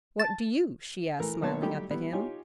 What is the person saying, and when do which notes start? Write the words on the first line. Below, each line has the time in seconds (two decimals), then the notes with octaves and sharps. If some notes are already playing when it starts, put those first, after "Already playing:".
"What do you?" she asked, smiling up at him.
0.19 A5
1.20 E3 A3 A#4
1.42 B1 A#3 B3 C#5 A5
1.61 D3 F#3 G3 A3 D#4 G4
1.90 G3 B3 E4
2.13 D#4 F4 G4 C#5 G#5